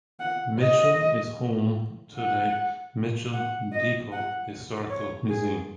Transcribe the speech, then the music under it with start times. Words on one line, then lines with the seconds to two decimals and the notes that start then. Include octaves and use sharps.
Mitchell is home to the Mitchell Depot Historical Museum.
0.20 F#5
0.59 D#5
2.16 F#5
3.33 F#5
3.72 D#5
4.12 F#5
4.90 C#5
5.29 G#4